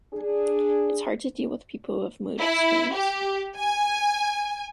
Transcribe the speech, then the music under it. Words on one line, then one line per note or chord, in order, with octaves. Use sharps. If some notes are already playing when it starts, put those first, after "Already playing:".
It’s hard to deal with people who have mood swings.
D4 G#4
E4
G4
G#5